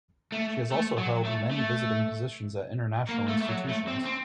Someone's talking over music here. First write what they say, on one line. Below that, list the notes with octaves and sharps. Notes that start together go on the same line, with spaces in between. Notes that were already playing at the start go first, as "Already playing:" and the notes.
She has also held many visiting positions at international institutions.
A3
A3
F#3
A3
A3
A#3
A3
A3
F#3
A3
C4
C4